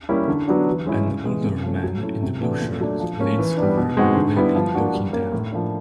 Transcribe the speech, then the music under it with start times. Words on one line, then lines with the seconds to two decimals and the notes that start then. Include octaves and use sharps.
An older man in a blue shirt leans over a railing looking down.
0.09 G3 A#3 C#4 E4
0.28 D3
0.48 F#3 B3 D4 F#4
0.67 E3
0.86 G#3 C#4 E4
1.06 C#3
1.25 E3 G#3
1.44 C3
1.63 F3 A3 C#4
1.84 F#3
2.02 A3 C#4 E4
2.23 C3
2.41 E3 A3 D4 F#4
2.61 A#2
2.80 F#3 A3 D4
3.00 F3
3.19 A#3 C#4
3.39 E3
3.57 G3 B3 D4
3.77 B2
3.97 G#3 C4 D#4 F#4
4.16 D3
4.36 G3 B3 E4
4.55 F3
4.74 A#3 D4 F#4
4.94 G3
5.13 A#3 C#4
5.32 A2
5.52 F3 A#3 D4